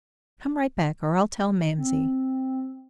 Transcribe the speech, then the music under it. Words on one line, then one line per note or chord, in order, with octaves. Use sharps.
"Come right back, or I'll tell mamsie!"
C4